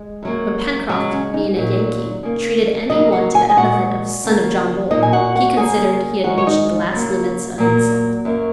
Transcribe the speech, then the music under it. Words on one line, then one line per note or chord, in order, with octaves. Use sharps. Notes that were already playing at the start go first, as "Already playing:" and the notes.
When Pencroft, being a Yankee, treated any one to the epithet of "son of John Bull," he considered he had reached the last limits of insult.
Already playing: G#3
F#2 F#3 A#3
C#3 F#3 G#3 F#4
C#4
D#4
A#2 F#3 A#3
C#3 A#3
C#3 F#3 A#3 D#4 D#5
F#4 F#5
G#5
G#4 G#5
A#2 G#3 F#4 F#5
C#3 A#3
A#2 A#3 D#4 D#5
G#5
F#4 F#5
F#4 F#5
C#3 A#3 G#4 G#5
G#2 D#3 G#3 F#4 F#5
C#5
D#4 D#5
C#3 F#3 A#3
A#2 F#3 A#3
F#2 F#3 A#3